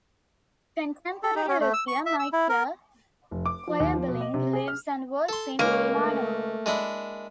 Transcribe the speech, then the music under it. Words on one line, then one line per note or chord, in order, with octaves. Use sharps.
Contemporary luthier Michael Koeberling lives and works in Murnau.
A4
D#4
C#4
A3
E6
C#6
E5
E6
E4
A#4
F1
D6
F3
D#2
F3
B2
D#5
C3
G#4
F6
A4 C6
C#2 A#3 C#4
A3
G#3 D4 E4